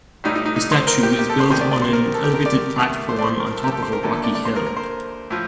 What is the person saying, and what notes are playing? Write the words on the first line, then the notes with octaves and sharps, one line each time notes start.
The statue is built on an elevated platform on top of a rocky hill.
A1 A2 G3 D#4
D#4
D#4
D#4
C5
A#4
G4
G4
A4
C5
D2 C3 D#3 C5
D5
D5
C5
A#4
A4
G4
A#4
D5
G2 D#3 A3
C5
D5
C5
A#4
A4
G4
A4
C5
A#4
D#2 D3 F3 A3 A4
A4
D5
D5
C5
A#4
A#4
C5
A2 F3